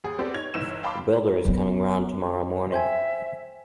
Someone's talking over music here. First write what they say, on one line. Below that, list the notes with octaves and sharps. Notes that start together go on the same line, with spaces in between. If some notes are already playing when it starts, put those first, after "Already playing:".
The builder is coming round tomorrow morning.
D#2 G#4
B3 C4 G4 A4 D5
D#4 C#5 G#6 F7
G1 E3 D#4 E6 E7
F5 G5 A5 B5 C6 D6
F#3 B3
C5 E5 G5 G#5